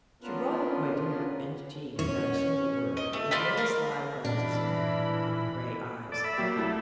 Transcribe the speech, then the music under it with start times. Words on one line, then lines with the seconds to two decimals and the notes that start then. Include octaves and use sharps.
She brought up my dinner and tea, without a single word, but with many sly glances at me from her quick grey eyes.
0.22 B3 C#4 D4 F4 A#4 B4
1.99 C#4 C#5
2.97 D#5
3.13 A3
3.31 F4 D5 D#5 B5
3.57 A#4 F5
4.25 A#2 E3 D4 B5
6.12 A4 D5
6.24 E5 B5
6.38 F#3 A#3 G4
6.56 C2 A3 E4